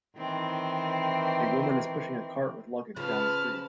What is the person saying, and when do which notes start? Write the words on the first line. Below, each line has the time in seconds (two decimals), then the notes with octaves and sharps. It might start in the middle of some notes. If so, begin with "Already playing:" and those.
A woman is pushing a cart with luggage down a street.
0.17 D#3 E3 C4
2.96 C#3 F3 B4 A5 F6